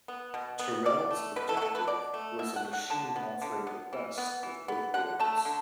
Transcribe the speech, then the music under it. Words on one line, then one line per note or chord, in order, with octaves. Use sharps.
Terrell's objective was a machine offering the best of both worlds.
B3
B2
B3
B2 D5
A3
B2 B4
A4
F#4
A3 A4
B4
B2 D5
A3
B2 E5
F#5
A3
F#5
D3 A5
B3
D3
B3
E3
B3
E3
B3
D3 F#5
A3 A5
A5
D3